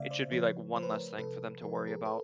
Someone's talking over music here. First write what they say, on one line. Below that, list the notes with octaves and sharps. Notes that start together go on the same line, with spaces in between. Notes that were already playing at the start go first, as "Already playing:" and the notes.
it should be, like, one less thing for them to worry about.
Already playing: C#3 A3 D5 E5 F5
C5 D5
F3 B4 C#5
F3 C5
B4
A#4 C5
C3 A4 B4
F3 A#4
B4
G#4 A#4
A4 B4